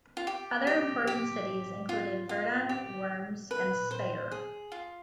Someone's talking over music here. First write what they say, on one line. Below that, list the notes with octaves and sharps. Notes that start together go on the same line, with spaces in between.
Other important cities included Verdun, Worms and Speyer.
F4
G4
G4
G4
F4
F4
G4
B4
C5
G#4
F4